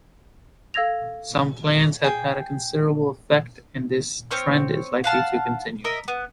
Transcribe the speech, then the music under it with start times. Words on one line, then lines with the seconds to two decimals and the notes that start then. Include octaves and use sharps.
Some plans have had a considerable effect, and this trend is likely to continue.
0.74 A4 F5 E6 G#6 A#6 F7
2.04 G#4 G5
4.31 C4 C5 C#5 F6
5.04 F5 F#5 A5 F6
5.84 A#4 D#5 E5
6.08 B3